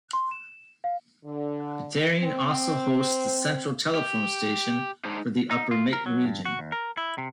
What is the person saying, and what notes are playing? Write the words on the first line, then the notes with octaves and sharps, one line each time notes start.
Bteghrine also hosts the central telephone station for the upper Metn region.
C6
E7
F5
D3
C4
G4
G#3 D4 D#4 C5
D#4
F4
A#4
F#3
G2
F#4
D#2
A#4
E4
C3